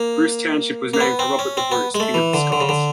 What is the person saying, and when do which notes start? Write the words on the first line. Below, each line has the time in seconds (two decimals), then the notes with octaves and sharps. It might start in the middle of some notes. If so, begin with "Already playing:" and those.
Bruce Township was named for Robert the Bruce, King of the Scots.
Already playing: A#3
0.94 A#3
1.00 B3
1.19 C4
1.39 C#4
1.57 C4
1.72 B3
1.95 G#3
2.00 A3
2.14 E3
2.34 D3
2.52 D3
2.61 C#3
2.69 D3